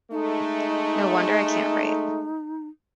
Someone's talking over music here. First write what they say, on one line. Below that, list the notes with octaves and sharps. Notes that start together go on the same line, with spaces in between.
No wonder I can't write!
G#3 A3 D#4